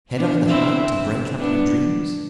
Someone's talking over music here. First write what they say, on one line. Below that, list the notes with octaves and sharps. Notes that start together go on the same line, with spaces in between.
Had I the heart to break up her dreams?
B3 D4
C4 E4
B3 D4